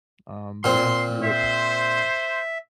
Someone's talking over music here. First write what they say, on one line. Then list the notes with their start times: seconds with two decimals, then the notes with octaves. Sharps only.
um, but yeah, Europe,
0.64 A#2 C4 C6
1.23 C5 E5